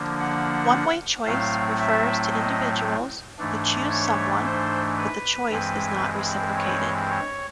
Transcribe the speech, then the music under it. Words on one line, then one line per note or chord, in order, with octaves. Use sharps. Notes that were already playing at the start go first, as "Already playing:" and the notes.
One-Way Choice refers to individuals who choose someone but the choice is not reciprocated.
Already playing: D3 F3 A#3 D4
F#5
A2 F#3 A3 C4 F5
E5
D#5
G#2 E3 A3 D4
C#5
C5
B4
G2 E3 G#3 C4
C#5
C#5